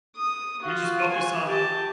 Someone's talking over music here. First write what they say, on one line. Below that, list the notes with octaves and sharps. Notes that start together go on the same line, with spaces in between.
You just focus on
D#6
F4 F#4
G#5
G4 A5